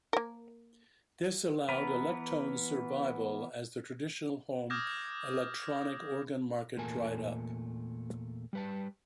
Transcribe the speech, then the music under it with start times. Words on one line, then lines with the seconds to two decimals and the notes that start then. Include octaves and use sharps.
This allowed Electone's survival as the traditional home electronic organ market dried up.
0.13 A#3 A#4
1.69 E3 B3 A#4 B4
4.70 D6 D#6 F6 G6 G#6 A#6
6.77 E2 A#2 A3 A#4 G#5 A5
8.53 G3 B4 A5